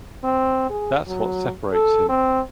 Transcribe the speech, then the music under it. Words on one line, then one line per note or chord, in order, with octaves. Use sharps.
That's what separates him.
C4
G#4
F#3
A4
C4